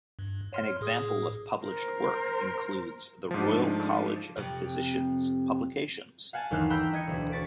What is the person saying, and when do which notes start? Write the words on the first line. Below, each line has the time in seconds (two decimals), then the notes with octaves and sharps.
An example of published work includes the Royal College of Physicians publications.
0.19 G2
0.53 C#5 C6 F6
0.81 A2 G#4 D#6
1.63 A#4 C5
3.31 G#2 F3 A3 D4
4.37 F2 C3
6.33 F5 F#5 G#5 A5
6.50 G1 D#2 E3 D#4 F6 F#6
6.70 G5 A#5 B5 E6 F#6 G6
6.93 D#5 G#6 C#7
7.07 E1 D2
7.31 C#5 A6 B6 D7